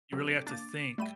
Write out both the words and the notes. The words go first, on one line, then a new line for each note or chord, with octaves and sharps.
you really have to think,
F#3 A3 C4 G4
A#3 D4 D6 A6
G3 A3 E5 G5 B5 D#7